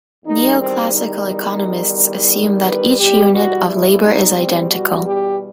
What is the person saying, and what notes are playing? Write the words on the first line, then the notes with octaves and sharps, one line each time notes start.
Neoclassical economists assume that each "unit" of labor is identical.
E2 D#3 G3 D#4
C4
D#4
B4
E2 B2 G3 G4
F#4
E4
D#4
C4
F#4
G4